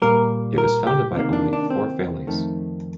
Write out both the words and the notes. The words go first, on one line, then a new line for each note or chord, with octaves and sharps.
It was founded by only four families.
A#2 G3 A#3 A#4
A#4
G4
C3 D#3 A#3
D4
D4
C4
F2 D#3 A3